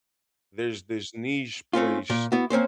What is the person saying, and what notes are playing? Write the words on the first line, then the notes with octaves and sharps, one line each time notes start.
there's this niche place
A3 C4 C#4 F4
A#2
B3 E4 F#4
A#3 C4 C#4 C5